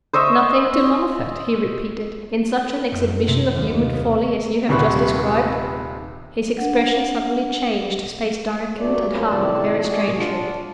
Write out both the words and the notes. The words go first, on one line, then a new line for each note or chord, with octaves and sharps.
"Nothing to laugh at," he repeated, "in such an exhibition of human folly as you have just described?" His expression suddenly changed his face darkened and hardened very strangely.
C5 D#5 E5 C#6
F#1
C3
D#2
C#7
B3
D#1 C3 G3 B4 C#6
D4 F#5
G2 F#3 A3 D5
F#2 F3 G3 A#3 B3 C#4
F2 A2 C3 D#3 D5 A5
F#4 G#4 D5
D4 F4 F#5